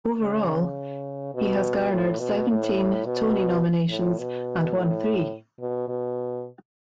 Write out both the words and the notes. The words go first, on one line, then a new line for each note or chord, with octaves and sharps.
Overall, he has garnered seventeen Tony nominations and won three.
C#3
B2
A2
B2
A2
B2
A2
B2
A2
B2
B2